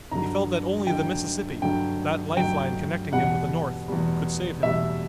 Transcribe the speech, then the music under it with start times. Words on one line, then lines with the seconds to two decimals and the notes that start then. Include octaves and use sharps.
He felt that only the Mississippi, that life-line connecting him with the North, could save him.
0.12 G2 D3 F#3 A#5
0.87 G2 D3 F#3 G5
1.62 G2 D3 F#3 G5
2.37 G2 D3 F#3 G5
3.12 E2 B2 G3 F#5
3.88 E2 B2 G3
4.63 E2 B2 G3 E5